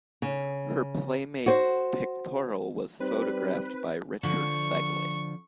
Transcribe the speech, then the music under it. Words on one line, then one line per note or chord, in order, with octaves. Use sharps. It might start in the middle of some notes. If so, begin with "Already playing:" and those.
Her Playmate pictorial was photographed by Richard Fegley.
C#3
F#4 C5
G3 C4 D#4 B4 C5
D3 F3 C#6